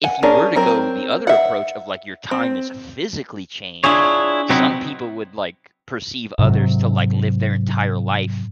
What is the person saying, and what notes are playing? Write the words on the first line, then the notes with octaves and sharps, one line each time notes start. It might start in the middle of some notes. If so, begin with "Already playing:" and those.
if you were to go the other approach of, like, your time is physically changed, some people would, like, perceive others to, like, live their entire life.
F#5 G#5
C#4 D4 G#4 A#4
F#3 C4 A#4
E5 F#5
C4
D4 E4 F4 G#4 C#5
C3 F#3 B3 C4 D#4 E4
G#2 C3 F#3